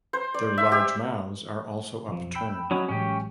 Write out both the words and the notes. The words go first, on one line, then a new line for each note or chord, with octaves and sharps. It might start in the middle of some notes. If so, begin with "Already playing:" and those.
Their large mouths are also upturned.
C5
D5
E5
G4
B1 F2 F3
G5 B5 E6
F#3 C#4 D#5 B5 D#6
A1 F#3 G#3 C#4 G4